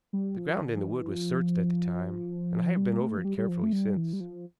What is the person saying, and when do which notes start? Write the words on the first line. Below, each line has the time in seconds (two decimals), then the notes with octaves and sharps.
The ground in the wood was searched at the time, and I have been over it carefully since.
0.13 G3
0.37 F3
0.61 D3
0.75 F3
0.85 E3
1.09 F3
2.77 G3
3.00 A3
3.18 F3
3.25 G3
3.38 G3
3.48 F3
3.63 A3
3.73 G3
3.97 E3
4.13 G3
4.20 F3